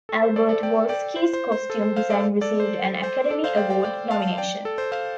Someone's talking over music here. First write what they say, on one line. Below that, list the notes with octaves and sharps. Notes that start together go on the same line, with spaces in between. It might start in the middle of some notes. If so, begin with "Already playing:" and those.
Albert Wolsky's costume design received an Academy Award nomination.
A4
C5
A4 D5
A4 D5
D5 G5
D5 G5
C5
C5
C5
A4
C5
C5 F5
A4 D5
A4 D5
C5
C5
A4 D5
C5 F5
D5 G5
D5 G5
D5 G5
F5 A5
D5 G5
A4
C5
C5 F5